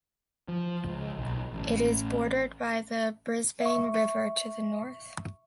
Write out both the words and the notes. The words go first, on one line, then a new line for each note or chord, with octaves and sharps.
It is bordered by the Brisbane River to the north.
F3
C#2
B1
A1
E5 C#6